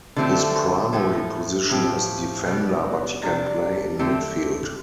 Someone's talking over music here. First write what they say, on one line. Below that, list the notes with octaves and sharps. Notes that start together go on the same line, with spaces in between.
His primary position is defender but he can play in midfield.
D3 F3 A3 C4 G4
A2 F3 A3
A2 F3 C4 G4
B2 G3 B3
C3 G3 D4
D3 A3 C4 G4